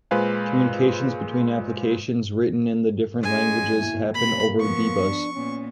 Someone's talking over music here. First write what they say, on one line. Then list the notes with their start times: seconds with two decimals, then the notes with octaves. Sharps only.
Communications between applications written in the different languages happen over D-Bus.
0.11 A#2 G#3 B4 C5 F5 G#5
3.23 G#3 C#4 G#5
3.78 D#2 B2 E4
4.14 C3 A#3 B5
4.60 F3 B3 C#6
5.04 D4
5.34 A#2 B3 C#4